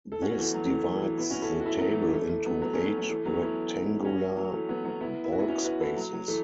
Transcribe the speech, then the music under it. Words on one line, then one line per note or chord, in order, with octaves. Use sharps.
This divides the table into eight rectangular balkspaces.
A4
C#4 F#4
B3
E3 A3
F#3
F#3
E3 A3
F#3
E3
B3 E4
C#4 F#4
E4 A4
F#4
E4 A4
F#3 B3
E3 A3
E3
E3 A3
E3 A3
F#3 B3
F#3 B3
A3 C#4
F#3 B3
F#3
E3 A3
F#3 B3
C#4
B3 E4
C#4 F#4
F#3
E3 A3
F#3 B3
F#3 B3
B3 E4
E4
F#4
B3 E4
C#4 F#4
F#4 B4
E4 A4
F#3
F#3
E3 A3